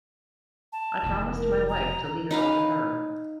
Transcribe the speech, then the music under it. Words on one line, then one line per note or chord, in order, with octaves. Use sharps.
I promised my wife to leave it all to her.
A5
F1 E2
A#4
A#5
D#4 B4 F5